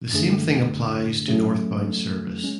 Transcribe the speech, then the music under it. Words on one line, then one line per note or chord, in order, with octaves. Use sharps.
The same thing applies to Northbound service.
F#2 D3 A3 D4 G#4
C#3 F#3 A3 C#4 G#4
G#3 C#4